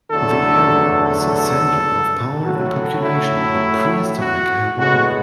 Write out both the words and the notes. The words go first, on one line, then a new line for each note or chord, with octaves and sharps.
The area was a center of power and population in pre-historic Hawaii.
E2 D3 F#3 A3 A4
A4
A2 F#3 A3 F#4
E4
F#4
A2 G#3 B3 F#4